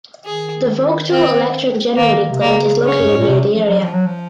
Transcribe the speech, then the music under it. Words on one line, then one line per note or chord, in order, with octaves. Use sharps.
The Vogtle Electric Generating Plant is located near the area.
D#3 G#4
C4
D#3 A#3
D#3
C3
C#3 A#3
C#4
F#2
G#2
A#2
C3
F3
F#3
F3
F#3
F3